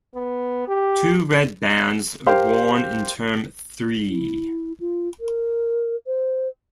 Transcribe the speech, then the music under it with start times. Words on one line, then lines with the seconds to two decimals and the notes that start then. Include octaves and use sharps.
Two red bands are worn in term three.
0.15 B3
0.68 G4
2.26 G4 A#4 C5 F5
4.08 E4
4.80 F4
5.20 A#4
6.07 C5